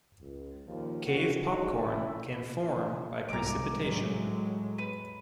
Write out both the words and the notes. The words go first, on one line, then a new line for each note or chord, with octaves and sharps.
Cave popcorn can form by precipitation.
C#2
D#2 A#2 C#3 F3
C3 F3 G3 F#4
G#2 D3 D#4 F#4 G#4
A3 C#4 E4
C2 G#2 A#5 D6
A2 F#3 G#3
B4